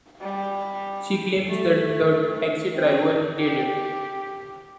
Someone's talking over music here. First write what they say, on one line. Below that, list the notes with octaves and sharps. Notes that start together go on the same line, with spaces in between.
She claims that the taxi driver did it.
G3
A3
C4
G4